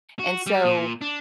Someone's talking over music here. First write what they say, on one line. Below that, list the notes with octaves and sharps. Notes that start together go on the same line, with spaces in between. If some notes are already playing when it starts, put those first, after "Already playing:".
And so,
F#4
G3
A#2
D4